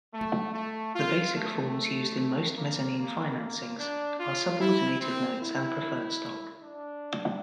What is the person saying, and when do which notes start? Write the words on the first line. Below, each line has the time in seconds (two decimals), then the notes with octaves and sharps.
The basic forms used in most mezzanine financings are subordinated notes and preferred stock.
0.14 A3
0.54 A3
0.95 F4
1.35 A3
2.57 A#3
2.98 A#3
3.39 A#3
3.78 D4
4.19 F4
4.60 E4
5.00 C4
5.42 E4
6.63 D4